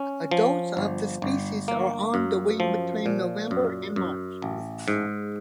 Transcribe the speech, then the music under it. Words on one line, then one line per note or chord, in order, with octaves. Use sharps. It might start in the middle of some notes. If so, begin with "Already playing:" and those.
Adults of the species are on the wing between November and March.
Already playing: C#4
F3
G1
G1
A#3
F#2
F3
A#2
F#2
F#2
A1
G#2